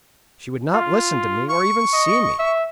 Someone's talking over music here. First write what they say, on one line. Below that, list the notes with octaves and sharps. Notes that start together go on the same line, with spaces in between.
She would not listen to me, or even see me.
F4
C#6
D#5
E5